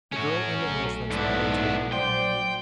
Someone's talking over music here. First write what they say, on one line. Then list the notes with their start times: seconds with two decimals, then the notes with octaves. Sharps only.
The girl and the Englishman smiled too.
0.12 A2 C#4 F#4
0.63 B1 A3
1.11 G#2 B3 D4 E4
1.92 A#1 F#3 C5 D5 G5